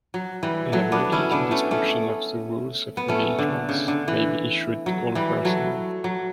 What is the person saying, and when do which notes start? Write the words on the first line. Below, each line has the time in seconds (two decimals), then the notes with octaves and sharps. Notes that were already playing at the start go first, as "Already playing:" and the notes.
An abbreviated description of the rules of engagement may be issued to all personnel.
0.14 F#3
0.43 E3 G3
0.72 F#3 A3
0.92 B3 D4
1.12 C#4 E4
1.31 B3 D4
1.51 A3 C#4
1.71 A3 C#4
2.97 B3
3.08 A3 C#4
3.39 D3
3.69 C#3
3.88 D3
4.08 E3
4.86 F#3
5.15 E3 G3
5.45 F#3 A3
6.04 F#3